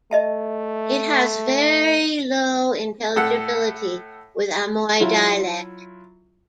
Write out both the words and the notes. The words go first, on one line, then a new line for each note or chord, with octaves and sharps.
It has very low intelligibility with Amoy dialect.
A3 D#5 E5 A5
A2 A4 F#5
F#3 E4 F4